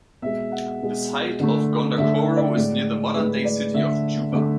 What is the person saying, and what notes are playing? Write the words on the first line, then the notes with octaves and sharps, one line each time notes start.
The site of Gondokoro is near to the modern-day city of Juba.
B2 G#3 E5
F#5
B2 G#3
D3 A3
D3 A3 E5
E5
D5
A2 G#3
A2 G#3 B4
D5
D3 A3 E5
D3 A3